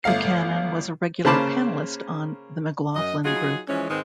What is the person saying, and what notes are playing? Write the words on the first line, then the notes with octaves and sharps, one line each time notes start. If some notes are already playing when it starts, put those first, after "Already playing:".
Buchanan was a regular panelist on "The McLaughlin Group".
G1 A3 F5 C7
C#3 A#3 C5 A5 B5 D6
F#2 D#5
F#3 D#4 F4 G#4
E3 F3 G#3 C#4
G#2 D#3 G#3 C4 B4